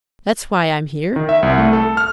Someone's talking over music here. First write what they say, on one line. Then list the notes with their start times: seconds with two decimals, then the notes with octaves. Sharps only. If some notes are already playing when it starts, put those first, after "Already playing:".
That's why I'm here.
1.16 D#3
1.29 E5
1.43 C2
1.58 A3
1.73 A4
1.97 F6